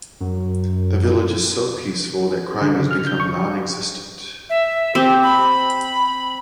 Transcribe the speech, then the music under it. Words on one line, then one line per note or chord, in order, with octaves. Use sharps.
The village is so peaceful that crime has become nonexistent.
F#2
D3
C#3
F6
G6
C#6
E5
C4 G4
B5